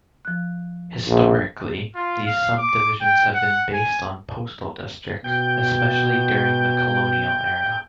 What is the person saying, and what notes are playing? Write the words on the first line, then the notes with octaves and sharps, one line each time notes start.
Historically, these subdivisions have been based on postal districts, especially during the colonial era.
F3 F#6
A#1
F4
F5
D6
G5
F#5
G#5
B2 G5